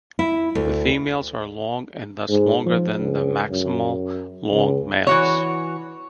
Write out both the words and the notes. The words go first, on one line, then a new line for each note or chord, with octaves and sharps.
The females are long and thus longer than the maximal long males.
E4
D2
G#2
F3
C#2
F#2
C#2
E3 F#4 C#5